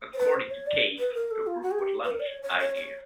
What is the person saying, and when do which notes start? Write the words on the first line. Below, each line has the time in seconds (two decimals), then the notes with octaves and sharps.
According to Cave, the group was Lunch's idea.
0.14 C5
0.18 B4
0.34 C5
0.51 C#5
0.67 D5
0.99 B4
1.14 A#4
1.31 A4
1.47 F4
1.62 F#4
1.71 G#4
1.79 G4
2.04 B4
2.11 A#4
2.20 D5
2.27 C#5
2.43 C#5
2.59 C#5
2.75 C#5